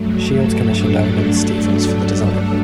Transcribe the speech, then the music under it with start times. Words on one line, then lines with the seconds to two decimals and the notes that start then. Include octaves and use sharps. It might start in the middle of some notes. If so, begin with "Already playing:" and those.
Shields commissioned Olin Stephens for the design.
Already playing: G2 F#3 A3
0.29 A4
0.66 D4